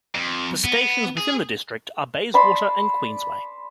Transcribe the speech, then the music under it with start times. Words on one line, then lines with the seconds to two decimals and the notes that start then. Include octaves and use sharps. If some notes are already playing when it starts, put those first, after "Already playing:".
The stations within the district are Bayswater and Queensway.
0.15 F2
0.65 B3
1.17 G#4
2.34 D5 A5 B5 C6